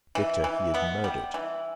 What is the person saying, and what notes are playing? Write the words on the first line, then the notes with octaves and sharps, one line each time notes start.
Victor, he is murdered!
E3
E3
B3
G3
E3